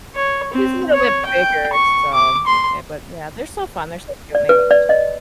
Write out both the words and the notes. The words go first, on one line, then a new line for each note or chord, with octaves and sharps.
he's a little bit bigger, so, yeah, but, yeah, they're so fun, they're so cute, and they love each other.
C#5
C4
C#5
G5
C#6
D6
C6
D5
B4
D5
D#5